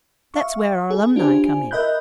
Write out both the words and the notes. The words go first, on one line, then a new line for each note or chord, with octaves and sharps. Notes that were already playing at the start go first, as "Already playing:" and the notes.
That's where our alumni come in.
E5 F5 C#6
G#4
D4 F4 G4 C5 G#5
A#4 D#5 E5 B5 F#6 G6